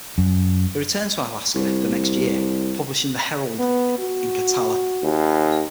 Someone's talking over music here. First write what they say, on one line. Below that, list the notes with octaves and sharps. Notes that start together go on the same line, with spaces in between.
He returned to Alaska the next year, publishing the "Herald" in Katalla.
F#2
C2
B3
F#4
D#2